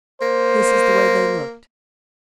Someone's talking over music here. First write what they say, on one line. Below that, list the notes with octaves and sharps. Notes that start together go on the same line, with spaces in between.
This is the way they looked.
A#3 C5